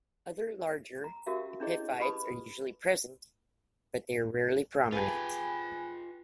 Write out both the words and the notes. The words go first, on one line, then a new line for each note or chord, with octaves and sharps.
Other larger epiphytes are usually present, but they are rarely prominent.
A#5
C#4 F#4 G4 A#4 E5 F5
C#4 D4 E4 G#4 C#5 D#5
G4 B4 A5 B5 D#6
F4 G4 G#4 B4 G#5 B5